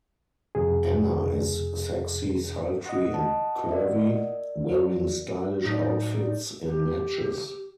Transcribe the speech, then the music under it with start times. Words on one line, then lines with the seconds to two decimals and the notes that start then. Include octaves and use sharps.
Anna is sexy, sultry and curvy, wearing stylish outfits in matches.
0.55 F2 C3 G#4
2.86 D#5 F#5
3.14 A5
3.69 A#4 D5 E5
4.69 F#3
5.64 A2 F#3 D#4 D5 G6
6.65 G4